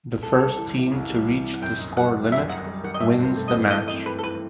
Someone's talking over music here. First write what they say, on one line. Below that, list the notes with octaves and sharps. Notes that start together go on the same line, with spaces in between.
The first team to reach the score limit wins the match.
C2 A4
G3
E3
C3
C2
G3
E3
C3
F#5
F#2 G5
D#4
G3 F#5
D#3
F#2 E5
D#4 F#5
G3
D#3 F#5
D#5
G2 E5
C4
A3
D#5
E3
G2 D#5
C4 D#5
A3 B4
A4
E3 B4